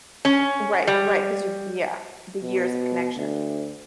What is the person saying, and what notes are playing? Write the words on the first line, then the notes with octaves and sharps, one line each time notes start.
Right, right, 'cause you yeah, the years of connection.
C#4
G3
B2
D2